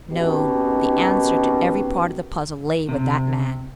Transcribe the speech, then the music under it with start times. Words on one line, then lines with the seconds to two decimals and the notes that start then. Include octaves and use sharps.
No, the answer to every part of the puzzle lay with that man.
0.10 G#1 B2 D#3 C#4 G4
2.89 C3